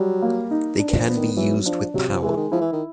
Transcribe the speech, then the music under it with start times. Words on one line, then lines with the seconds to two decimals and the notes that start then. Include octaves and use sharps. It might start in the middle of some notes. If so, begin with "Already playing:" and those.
They can be used with power.
Already playing: F#3 G3
0.22 A#3
0.51 D#4
0.80 D4
0.98 F3
1.08 B3
1.17 D#3
1.37 E3 F#3
1.66 F3 D4
1.94 C3 F#3
2.09 F3
2.22 E3 G#3
2.37 D#3
2.52 F3 E4
2.61 E3
2.73 D#3